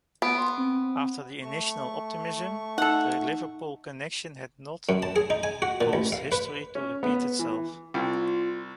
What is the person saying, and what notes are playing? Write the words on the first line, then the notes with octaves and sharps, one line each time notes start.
After the initial optimism, the Liverpool connection had not caused history to repeat itself.
B3 D7
C6
C4
A3 C#6
D#4 A4 F#5
F#2
A5
G#4
D#4
G#5
F#4
A#2
A1
F5
B4
C#4
B3
E3
C2 F4